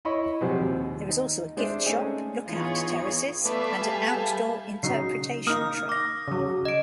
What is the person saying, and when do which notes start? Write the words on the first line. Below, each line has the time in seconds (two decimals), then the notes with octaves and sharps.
There is also a gift shop, lookout terraces, and an outdoor interpretation trail.
0.05 E4 C#5 D#5 B5 C#6
0.41 C3 F3 F#3 G#4 C5
0.60 D#2
1.09 D#4
1.57 G#3 D4 C5 D5 E5
1.86 A3 C#4 D#4 G#4 C#5
2.46 E3 B3 D#4 F4 G#4 C#5
3.45 A3 B3 B4 D5 E5 F5
3.81 G3 G#4 A4
4.83 C#3 F#3 D#4 C7
5.47 A#3 D#4 D#6 F6
5.89 D6 A#6
6.28 C#3 F#3
6.65 D#5 D7